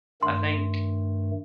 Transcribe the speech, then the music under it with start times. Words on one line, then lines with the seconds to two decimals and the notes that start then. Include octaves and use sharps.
I think,
0.23 G2 D#3 A3 C6